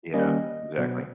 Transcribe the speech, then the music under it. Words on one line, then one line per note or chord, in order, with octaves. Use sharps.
Yeah, exactly.
D#3 G3 A#3 C#4 D#5
B2 F#3 B3